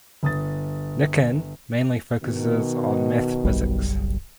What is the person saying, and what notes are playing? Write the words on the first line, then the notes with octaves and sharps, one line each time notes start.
Nikan mainly focuses on Math-Physics.
G1 D#6 A6
B2 D#3
F#1 B1 G3